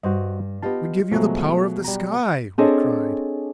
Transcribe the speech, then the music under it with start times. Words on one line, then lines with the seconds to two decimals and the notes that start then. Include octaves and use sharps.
"We give you the power of the sky!" we cried.
0.03 G2 F#4 C5 D#5
0.63 B3 F4 G4 D#5 A5
1.12 B2 F3 F#3 G#3 A3
1.84 G3 A#5
2.58 C4 D4 G#4 A4 C#5 D#5